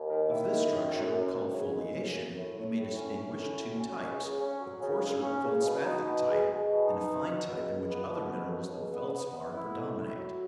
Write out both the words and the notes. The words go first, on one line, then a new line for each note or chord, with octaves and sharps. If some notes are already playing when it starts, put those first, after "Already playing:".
Of this structure, called FOLIATION, we may distinguish two types,--a coarser feldspathic type, and a fine type in which other minerals than feldspar predominate.
Already playing: D#2
D#3
E4
D#3
F#2
F#2
F#2
F#2
C#3
G#3
C#3
F#2
A2
F#3
A2
C#4
C#4
A2
F#3
C#4
C#2
C#3
C#4
F#3
C#3
C#3
C#4
C#3
B2
D#4
B2
G#3
G#3
B2
D#4
B2
B2
C#2
C#2
B3
B2
B2
F#3
C#2
B3
B3
B3
E4
A2
E4
F#3